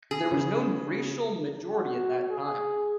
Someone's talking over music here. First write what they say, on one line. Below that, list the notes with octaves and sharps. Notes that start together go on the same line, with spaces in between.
There was no racial majority at that time.
G#4
C#3
F#4
G#4